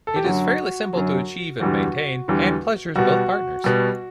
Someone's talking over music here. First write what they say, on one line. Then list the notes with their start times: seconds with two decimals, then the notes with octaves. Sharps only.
It is fairly simple to achieve and maintain and pleasures both partners.
0.07 A4
0.16 G4
0.24 F#2 D3 F#3 F#4
0.93 F#2 D3 F#3
1.60 E2 D3 G3 F#4
2.28 E2 D3 G3
2.95 B2 G3 F#4
3.64 B2 G3